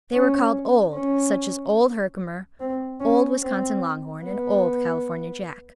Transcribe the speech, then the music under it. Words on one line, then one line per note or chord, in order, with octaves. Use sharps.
They were called "old," such as Old Herkimer, Old Wisconsin Longhorn, and Old California Jack.
C#4
C#4
C4
C#4
C4
B3